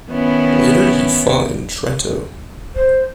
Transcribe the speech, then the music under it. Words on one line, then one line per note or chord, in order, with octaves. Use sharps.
Later he fought in Trento.
D#3 B3 C#4 E4
C5